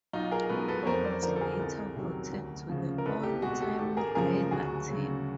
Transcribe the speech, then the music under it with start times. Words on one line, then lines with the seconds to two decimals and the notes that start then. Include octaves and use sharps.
He was later voted to the All-Time Raider team.
0.13 B1 D#4 F4
0.31 G#4 A#4
0.49 B2 G#3 A4 B4
0.68 A4 B4
0.83 C#5
0.86 F2 A#4 C5
1.05 C5 D5
1.22 D3 F3 A#4 C5
1.36 A4
1.41 G#4 A#4
1.59 C2
1.96 C3 D#3 F#3
2.33 D2
2.69 C#3 F3
2.98 A#4
3.06 C2 A4 B4
3.23 G4 A4
3.42 B2 G#3 F#4 G#4
3.61 G4 A4
3.78 G#1 G4 A4
3.97 G#4 A#4
4.15 F#2 C#3 F3 G#3 G#4 A#4
4.51 D2 F#4 G#4
4.88 C#3 F#3